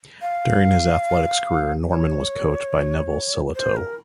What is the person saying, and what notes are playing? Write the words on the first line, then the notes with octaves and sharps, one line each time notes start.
During his athletics career Norman was coached by Neville Sillitoe.
F5
C#5
C5
A#4